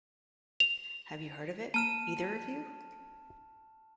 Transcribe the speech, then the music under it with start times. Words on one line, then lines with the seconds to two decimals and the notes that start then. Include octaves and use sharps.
Have you heard of it, either of you?
0.60 F7
1.74 A#3 A5 F6 D#7 E7